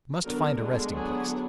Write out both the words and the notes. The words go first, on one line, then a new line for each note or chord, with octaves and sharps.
I must find a resting place.
D3 F#3 B3 D4 A#4
D3 G#3 B3 D4
D3 F#3 B3 D4 G#4